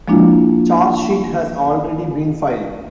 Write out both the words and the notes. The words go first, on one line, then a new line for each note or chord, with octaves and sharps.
Charge sheet has already been filed.
F3 G#3 A#3 D4 E4 F4